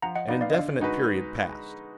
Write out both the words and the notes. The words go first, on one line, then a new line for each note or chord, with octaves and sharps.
An indefinite period passed.
F3 F#5 A#5
D#5 F#5
B3 D#4 D5 F5
D5 F5
D#5
D3 D5 F5
G#3 D#4 F#4 B4